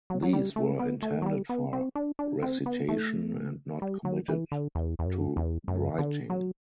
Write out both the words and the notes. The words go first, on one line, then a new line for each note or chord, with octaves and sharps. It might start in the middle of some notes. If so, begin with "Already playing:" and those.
These were intended for recitation, and not committed to writing.
F#3
F#3
G3
A3
B3
A3
F#3
G3
B3
C4
D4
D4
C4
B3
A3
G3
F#3
E3
D3
E2
E2
F#2
E2
F#2
D3
F#3